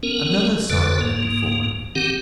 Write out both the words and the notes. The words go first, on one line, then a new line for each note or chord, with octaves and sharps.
Another sorrow had befallen him.
B3 C#4 A#4
F2 D3 A4 B4
G#2 A#3
D#3 C4 G4 F#5